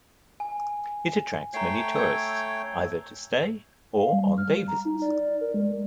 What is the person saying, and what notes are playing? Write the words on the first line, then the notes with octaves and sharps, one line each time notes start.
It attracts many tourists either to stay or on day-visits.
G#5
A3 C#5 G5 A#5 C7
E6 G6 G#6
F5
G3
F6
A#5
D#4
D5
A#4
G#3